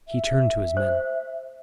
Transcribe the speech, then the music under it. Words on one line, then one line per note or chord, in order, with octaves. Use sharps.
He turned to his men.
E5
C5